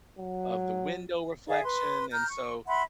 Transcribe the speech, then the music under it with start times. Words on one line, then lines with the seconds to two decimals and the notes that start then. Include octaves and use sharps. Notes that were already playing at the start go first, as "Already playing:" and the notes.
of the window reflection, and so
0.18 F#3
1.47 G#4 D5 E5 F5
1.65 B4 C6
2.11 A#5 F6 G6
2.28 C#6
2.68 E5 F#5 B5 C6